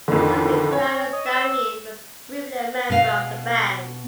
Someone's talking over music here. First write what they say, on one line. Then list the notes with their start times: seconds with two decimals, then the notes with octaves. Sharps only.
Samhain guitarist Damien was briefly a member of the band.
0.08 F2 A2 D3 D#3
0.72 C#4 C#5
1.13 D#5
1.26 E6
2.90 B2 F5